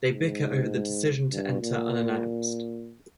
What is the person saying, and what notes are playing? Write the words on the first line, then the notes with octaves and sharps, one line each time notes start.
They bicker over the decision to enter unannounced.
G#2
G2
A#2